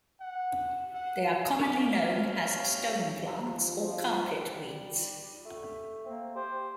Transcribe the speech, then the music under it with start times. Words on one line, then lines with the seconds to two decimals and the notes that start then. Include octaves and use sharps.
They are commonly known as stone plants or carpet weeds.
0.21 F#5
0.95 F#5
1.60 B2 C#4 G4 G#4 A#4 F5 D6
3.48 F3
3.79 F3
4.33 G3
5.45 A3
6.06 A#3 C4
6.35 G4 C5